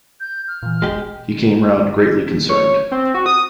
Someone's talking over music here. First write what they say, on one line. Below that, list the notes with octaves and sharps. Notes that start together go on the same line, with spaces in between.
He came round greatly concerned.
G6
F6
A#2 E3
E1 A#1 B2 G#3 G4
C#5
C4
F#4
D#6